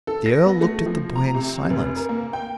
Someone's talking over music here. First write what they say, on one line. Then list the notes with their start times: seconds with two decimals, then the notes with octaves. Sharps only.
The Earl looked at the boy in silence.
0.07 A4
0.26 A#6
0.46 B3
0.61 A3
0.86 F3
1.16 A#5
1.34 C3
1.70 F1
1.97 A#4
2.09 A#3
2.33 G5